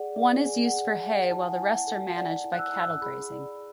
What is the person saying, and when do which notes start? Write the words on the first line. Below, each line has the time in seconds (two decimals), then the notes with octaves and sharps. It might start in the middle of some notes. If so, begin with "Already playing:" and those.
One is used for hay while the rest are managed by cattle grazing.
Already playing: G#4 D5 F#5
0.16 D5
0.45 G#4 G#5
0.66 F#5
0.73 G#4
0.87 F#5
1.02 D5
1.09 F#5
1.30 E4 A5
1.39 G#5
1.48 F#5
1.57 G#5
1.59 E4
1.73 F#5
1.87 A4
2.16 D5 F#5
2.44 E4
2.52 F#6
2.59 E6
2.73 E4
2.80 E6
3.02 G#4 B5
3.31 D5